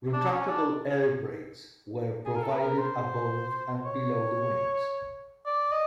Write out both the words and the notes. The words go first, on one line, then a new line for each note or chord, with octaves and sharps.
Retractable airbrakes were provided above and below the wings.
D4
C#4
D4
G#4
A#4
A4
B4
A#4
C5
C#5
D5
D#5